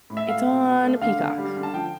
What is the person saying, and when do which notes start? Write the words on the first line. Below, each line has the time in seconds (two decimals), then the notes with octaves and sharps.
It's on Peacock,
0.10 A2
0.17 E5
0.28 A3 F5
0.46 B2
0.64 B2
0.83 A3
1.01 D3 F5
1.19 D3
1.38 G3
1.56 D3
1.63 A5
1.74 F3 G5